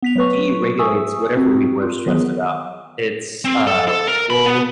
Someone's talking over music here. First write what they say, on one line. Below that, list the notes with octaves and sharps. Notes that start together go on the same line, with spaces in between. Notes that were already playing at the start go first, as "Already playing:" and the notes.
deregulates whatever we were stressed about, it's, uh, we'll
B3 B6 F7
F#3 A3 B4 C#6
E5 G#5 C#6 D#6 E6
C4 F#4 G4
F4
D#3 E3 F#3 B3 G#4
C4
A4
A4
A#4
B5
B3